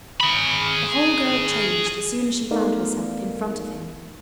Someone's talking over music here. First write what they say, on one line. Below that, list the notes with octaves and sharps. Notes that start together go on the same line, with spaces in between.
The whole girl changed as soon as she found herself in front of him.
G#4 B5
A3 B3 D#4 A#4 D5 F5